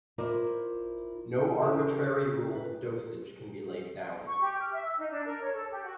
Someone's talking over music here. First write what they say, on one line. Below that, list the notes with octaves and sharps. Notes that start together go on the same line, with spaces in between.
No arbitrary rules of dosage can be laid down.
E4 F4 A#4 C5 D5
C#3 G4 A4
B4
C#6
G4
F6
E5
E6
D#4
D4
A#4
C#5
A4
G4
F#4